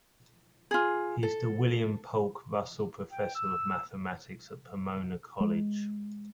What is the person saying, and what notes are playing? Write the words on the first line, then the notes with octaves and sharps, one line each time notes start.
He is the William Polk Russell Professor of Mathematics at Pomona College.
F4 G#4
A4
G5
E6
G#3